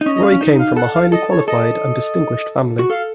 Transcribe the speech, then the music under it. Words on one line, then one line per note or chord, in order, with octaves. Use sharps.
Roy came from a highly qualified and distinguished family.
D#4
C#4 D#5
D#5
F5
C#4
D#4
F5
A4 F#5
F5
A4 D#5
C#5
A4 D#5
F#4
A4 F5